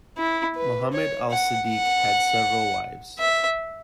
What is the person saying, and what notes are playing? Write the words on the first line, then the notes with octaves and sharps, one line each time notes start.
Muhammad as-Sadiq had several wives.
E4
B4
C#5
F#5
F#5
E5